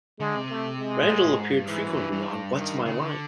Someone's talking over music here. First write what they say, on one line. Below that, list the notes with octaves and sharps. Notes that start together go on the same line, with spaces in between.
Randall appeared frequently on What's My Line?
D3 G#3
C3
A3
G#3
A2
A#2
A2
G#2
G2
G#2 E3
F#2
G2
G2
G2 D#3
C#3
D3